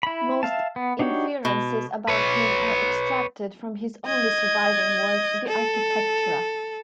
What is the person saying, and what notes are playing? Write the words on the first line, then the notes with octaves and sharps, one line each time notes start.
Most inferences about him are extracted from his only surviving work "De Architectura".
E4 B5
E5 F5 A5
B3
D4 D#4 F#4 G4 C#5
B2
B4 C#5
D#5 G#6
A4